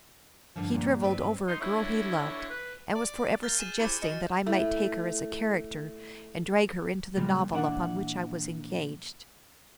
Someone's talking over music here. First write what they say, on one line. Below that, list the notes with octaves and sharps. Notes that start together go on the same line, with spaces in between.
He drivelled over a girl he loved, and was forever suggesting that I might take her as a character and drag her into the novel upon which I was engaged.
G2 D3 F3
A#2
G2 C4 B4 D5
D#4 C6
D3 E4 C#5
B4
D5
A#3 F6 G6 A6
G#4 D#7 E7
E4 G4 C5 C#7
F#4 D#5 C#7
A3 E4
A#2 C#3 G3 G#3
A#2 E3 D4 F#5